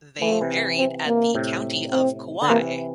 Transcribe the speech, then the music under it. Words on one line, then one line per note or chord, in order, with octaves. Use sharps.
They married at the county of Kauai.
E3 A3
F3
C3 E3
C4
A#3
A2 C3
C4
D3
C3 E3 A#3